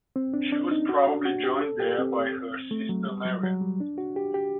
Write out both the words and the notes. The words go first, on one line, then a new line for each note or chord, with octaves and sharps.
She was probably joined there by her sister Marianne.
C4
D4
D4
D#4
F#4
D4
F#4
G4
A4
G4
C4
A3
F#3
G3
F#3
F#3
G3
D4
F#4
G4
G4